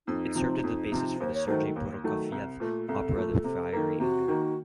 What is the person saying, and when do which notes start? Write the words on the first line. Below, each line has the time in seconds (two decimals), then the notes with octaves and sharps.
It served as the basis for Sergei Prokofiev's opera "The Fiery Angel".
0.07 F2 D#4
0.35 C3 F3 C4
0.63 F2
0.92 C3 F3 C4
1.19 D#2 C5
1.34 C#5
1.47 D#3 F#3 A3 C5
1.76 D#2
2.04 D#3 F#3 A3
2.32 C2
2.60 A#2 A3
2.88 C2 A4
3.16 A#2 A3
3.44 C3
3.73 D#3 A#3
4.00 C3 F#4
4.28 D#3 A#3